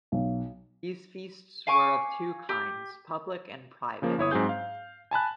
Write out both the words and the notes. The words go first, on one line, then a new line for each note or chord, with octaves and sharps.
These feasts were of two kinds, "public" and "private".
B1
F5 G#5 C#6 D6
G4
C#3 F3 A#3
G1 E4 C#5 D#6
G#2 F#3 C4 G#4 G6
F5
G#5 A5 B5 F#6